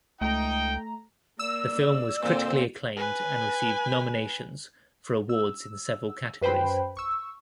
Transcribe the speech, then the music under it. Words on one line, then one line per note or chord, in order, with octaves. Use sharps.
The film was critically acclaimed and received nominations for awards in several categories.
C#2 A3 D#4 G5 A#5
A#3 D5 E6
A#2 D3 C4
B4 G#5
E6
F#2 B4 C5 G5 B5
C#6 E6